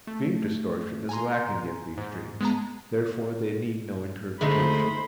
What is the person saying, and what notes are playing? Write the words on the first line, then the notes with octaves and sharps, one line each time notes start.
Dream distortion is lacking in these dreams, therefore they need no interpretation.
A3
G#5 A#5 C6
G#2
G#3 B3 A5 A#5
D3 G#3 A3 D#4 C5 B5